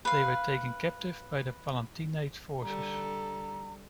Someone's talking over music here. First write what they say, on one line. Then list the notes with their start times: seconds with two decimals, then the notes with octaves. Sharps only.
They were taken captive by the Palatinate forces.
0.05 B4 F5
2.62 D3 G3 A4 A#5